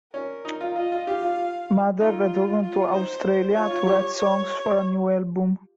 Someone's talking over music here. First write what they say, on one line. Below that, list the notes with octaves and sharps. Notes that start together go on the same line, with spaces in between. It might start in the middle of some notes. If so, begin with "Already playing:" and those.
Mather returned to Australia to write songs for a new album.
C#4 A#4
D#4
F4
F4 D#5
F4
G4 F5
F4
D#4 F4
F4
D#4 C5
F4 C#5
F4
G4
C#5